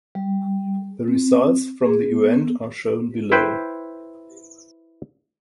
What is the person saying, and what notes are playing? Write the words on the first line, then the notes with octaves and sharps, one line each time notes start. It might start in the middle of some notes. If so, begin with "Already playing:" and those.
The results from the event are shown below.
G3
C4
G#4
B3
E4 B4 C5 G5